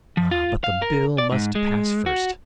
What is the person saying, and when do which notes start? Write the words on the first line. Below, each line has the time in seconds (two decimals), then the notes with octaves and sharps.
Ah! but the Bill must pass first....
0.17 F3
0.31 F4
0.64 F5
0.82 A#4
1.18 D5
1.32 G#2
1.55 G#3
2.06 F#4